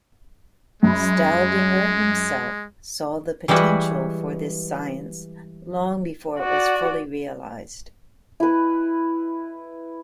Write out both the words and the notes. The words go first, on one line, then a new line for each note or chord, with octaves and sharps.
Staudinger himself saw the potential for this science long before it was fully realized.
F#2 G#3 B5
E3 G3 G#3 F#4 B4
F#4 D5
E4 B4